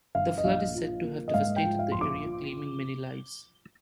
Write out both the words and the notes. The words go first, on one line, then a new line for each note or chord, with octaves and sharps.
The flood is said to have devastated the area, claiming many lives.
G1 F5
D#5
A#1 F5
F3
A#3
D#5
G#2 F5
G5
F3
F5
A#1 C6
D6
F3